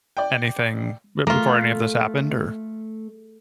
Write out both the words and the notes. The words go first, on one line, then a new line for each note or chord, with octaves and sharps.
anything b before any of this happened or
D5 G5
A3 A#3 F4